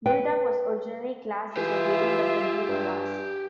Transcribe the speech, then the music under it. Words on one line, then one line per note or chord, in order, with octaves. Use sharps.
"Bulldog" was originally classed as a variant of the Duke Class.
B4 G5
E3 F4 G4 G#4 E5
G2